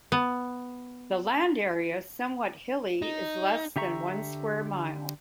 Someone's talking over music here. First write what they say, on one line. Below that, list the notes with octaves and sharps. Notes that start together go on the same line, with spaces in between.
The land area, somewhat hilly, is less than one square mile.
B3
D#4
D3 G4 E5 A#5 C#6